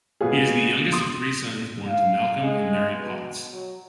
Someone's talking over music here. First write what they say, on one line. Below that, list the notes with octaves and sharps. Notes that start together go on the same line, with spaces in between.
He is the youngest of three sons born to Malcolm and Mary Potts.
B2 G#3 B3 F4 F#4 G#4
C6 D#6
F5
G#3
B2
F#3